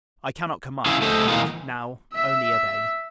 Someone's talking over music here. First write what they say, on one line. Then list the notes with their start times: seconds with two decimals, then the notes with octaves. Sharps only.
I cannot command; and, now, only obey.
0.86 C#4 E4 F4 G#4
1.02 A3 A4 C5 D#5
1.28 B2 E3 A#3 D#4 F4
2.13 E5 E6